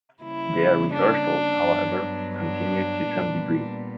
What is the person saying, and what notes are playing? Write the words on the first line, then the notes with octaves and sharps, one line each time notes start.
Their rehearsals, however, continued to some degree.
C#3 G3 A#3 E4
D4
G2 F#3 B3
D4
A#2 G3 B3